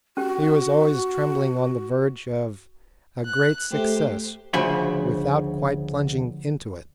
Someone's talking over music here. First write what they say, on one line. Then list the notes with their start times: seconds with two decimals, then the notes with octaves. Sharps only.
He was always trembling on the verge of a great success without quite plunging into it.
0.17 C#4 F#4 G4
3.25 F#6
3.72 A3 G4 C5
4.53 D2 C#3 F3 E5 G#5 B5